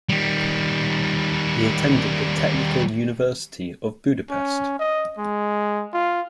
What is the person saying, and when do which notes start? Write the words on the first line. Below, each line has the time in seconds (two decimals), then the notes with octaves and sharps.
He attended the Technical University of Budapest.
0.09 D#3 G3
4.30 C#4
4.79 D#5
5.18 G#3
5.93 F4